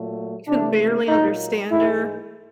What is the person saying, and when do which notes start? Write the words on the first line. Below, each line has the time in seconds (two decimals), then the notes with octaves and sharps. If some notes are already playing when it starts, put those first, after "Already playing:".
you could barely understand her,
Already playing: A#2 F#3 A3
0.48 C3 E3 A3 D4
1.09 A#2 F#3 A#3 D#4
1.69 G#2 E3 G#3 E4